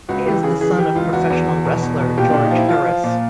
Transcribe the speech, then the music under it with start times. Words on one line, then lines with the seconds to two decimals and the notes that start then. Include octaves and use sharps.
He is the son of professional wrestler George Harris.
0.09 C#2 F#4
0.26 E3 G4
0.43 C#3 G#4
0.61 E3 G#4
0.78 E3 G4
0.95 C#2 F4
1.13 E2 F#4
1.30 E2
1.48 E2
1.65 B2
1.82 E2
2.00 B2
2.18 A#2 G4
2.30 A#2 D4
2.44 D#4
2.51 F3
2.57 E4
2.68 F3 F4
2.86 F3
3.04 A#2